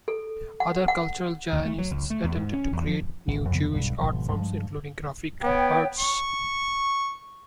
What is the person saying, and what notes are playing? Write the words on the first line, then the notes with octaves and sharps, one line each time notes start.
Other cultural Zionists attempted to create new Jewish art forms, including graphic arts.
A4
F#5
F#5
D2
A3
F#3
C#2
A3
E2
G#2
C#4
E2
F3
G#1
F2 C#3 E3 B3
B1 G2
G#1 B2 F3
G2 F3 G#3
B3 C#5 G5
C#6